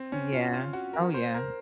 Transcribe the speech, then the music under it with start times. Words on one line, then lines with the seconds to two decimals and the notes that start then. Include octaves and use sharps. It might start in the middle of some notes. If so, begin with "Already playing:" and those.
Yeah. Oh, yeah.
Already playing: C4
0.12 C#4
0.33 F4
0.53 F4
0.73 F#4
0.93 A#4
1.14 C5
1.34 A#4